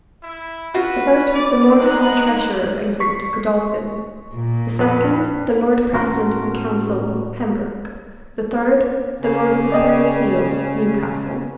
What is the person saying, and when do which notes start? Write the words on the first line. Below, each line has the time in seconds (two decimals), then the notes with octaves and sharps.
The first was the Lord High Treasurer of England, Godolphin; the second, the Lord President of the Council, Pembroke; the third, the Lord of the Privy Seal, Newcastle.
0.23 E4
0.74 F4 F#4 B4
1.34 D5
1.79 G#3 D#4 F#6
3.00 C#6 B6 C7
4.35 A#2
4.79 F2 B4
5.93 A2 C#4 F#4 A#4 C6
9.20 C#3
9.72 D5 D#5 G5